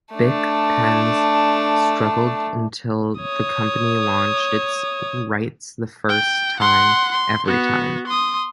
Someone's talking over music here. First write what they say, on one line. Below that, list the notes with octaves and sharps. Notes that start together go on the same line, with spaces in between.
Bic pens struggled until the company launched its Writes The First Time, Every Time!
A3 D4
C#5 D#6
G5
F#5 C6
C6
B3 F#4
C6 D#6